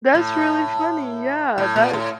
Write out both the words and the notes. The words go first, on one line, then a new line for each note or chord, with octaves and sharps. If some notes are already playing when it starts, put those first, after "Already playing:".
That's really funny, yeah, that
A2
A2
A#2
A2